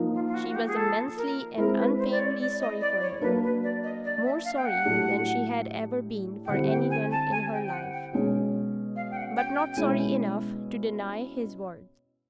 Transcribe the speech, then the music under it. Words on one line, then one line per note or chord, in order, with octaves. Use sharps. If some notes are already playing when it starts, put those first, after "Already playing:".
She was immensely and unfeignedly sorry for him--more sorry than she had ever been for any one in her life, but not sorry enough to deny his words.
Already playing: F3 A#3 D#4
F4
F4
F#4
F#4
G4
G#4
A4
A#4
G#3 C4 E4 G#4 A#4
B4
C5
D5
C#5
D5
D#5
D5
C#5
F#3 A#3 D4 B4
B4
D5
D#5
D5
E5
F5
G5
F#5
A2 F#3 A3 D4 G4
G5
D3 G3 C4 E4 G4 F#5
G5
G#5
A5
G#5
G5
G5
F#5
G5
B2 G#3 C#4
F5
G5
F#5
G5
G5
G5
B2 G#3 C#4 E4 G#5